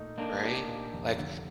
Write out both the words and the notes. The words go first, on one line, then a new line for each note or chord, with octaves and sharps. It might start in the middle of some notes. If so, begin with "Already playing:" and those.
Right? Like,
Already playing: A#2 A3 D#4
A#3 D4 D#4
G4
A#2
F1
D3